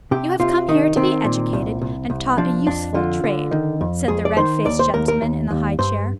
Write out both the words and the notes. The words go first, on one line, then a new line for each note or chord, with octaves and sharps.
You have come here to be educated, and taught a useful trade,' said the red-faced gentleman in the high chair.
C3 G4
C3 F4
D#3 D#4
D#3 C4
A#2
C2
C2
C2
F3 D4
F2 D4
D3 F4
D3
D#3
F2
F2 G#4
D5
D#3 C5
D#2 D5
C5
D#2 A#4
A#4
D#2
D#2
G2 C5